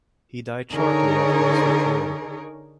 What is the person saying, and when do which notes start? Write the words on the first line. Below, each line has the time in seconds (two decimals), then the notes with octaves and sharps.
He died shortly after his return.
0.71 D3 D#4 G#4 A#4 C#5